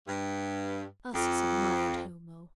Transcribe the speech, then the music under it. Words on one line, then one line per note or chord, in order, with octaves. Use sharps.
Ursus admired Homo.
G2
F2